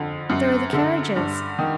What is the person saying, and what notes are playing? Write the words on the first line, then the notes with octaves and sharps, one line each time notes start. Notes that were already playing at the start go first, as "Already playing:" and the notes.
'There are the carriages.'
Already playing: F2 D3
F#2
D3
G2
D#3